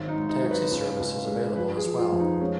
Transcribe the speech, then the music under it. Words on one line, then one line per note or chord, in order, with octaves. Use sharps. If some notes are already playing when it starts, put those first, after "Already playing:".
Taxi service is available as well.
Already playing: G#1 F#3
D#4
G#2
D#4
F#3
B4
C#2
C#2
G#3
F3 B4
G#4
F3
F4
F2
D#4
G#3 C#4